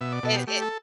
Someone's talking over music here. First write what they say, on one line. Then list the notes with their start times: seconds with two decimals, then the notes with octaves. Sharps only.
and and
0.01 B2 E5
0.12 D5
0.23 B2 A4
0.35 G4
0.47 A3 G4
0.62 A4